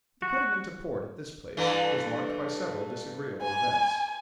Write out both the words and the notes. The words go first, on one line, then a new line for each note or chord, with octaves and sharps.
The putting into port at this place was marked by several disagreeable events.
F#4
G2 E3 A3
G#5